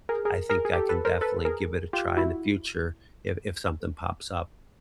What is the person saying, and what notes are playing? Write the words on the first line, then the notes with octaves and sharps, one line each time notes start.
I think I can definitely give it a try in the future if if something pops up."
G#4 A#4
G#4 A#4
G#4 A#4
G#4
G4 A4
A4 B4
A#4 C5
A4 B4
G#4 A#4
F4 G4
E4 F#4